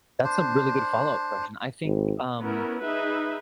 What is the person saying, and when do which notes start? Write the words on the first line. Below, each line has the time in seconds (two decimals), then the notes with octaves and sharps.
That's a really good follow-up question, I think, um,
0.24 D4 C5
1.85 G#1
2.40 B3 C#4 E4 A#4
2.84 D#4 G#4 B4 E5